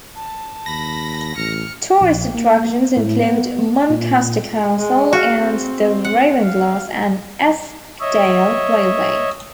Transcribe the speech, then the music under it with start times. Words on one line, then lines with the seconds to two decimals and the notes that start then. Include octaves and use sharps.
Tourist attractions include Muncaster Castle and the Ravenglass and Eskdale Railway.
0.15 A5
0.66 D#2 B5 A#6
1.36 A1 F6 C#7
2.01 A#1
2.35 A#3
2.97 A2
3.23 B3
3.90 A#2
4.79 G#3
5.13 F#4 F5
5.42 C4
6.05 F#5
6.44 F5
8.01 C#5 D#5 E5